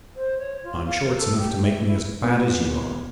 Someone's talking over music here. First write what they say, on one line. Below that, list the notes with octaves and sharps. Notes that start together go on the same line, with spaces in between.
I'm sure it's enough to make me as bad as you are.
C5
C#5
F4
F5
A#4
A4
G4
E5
E4
A#2 B3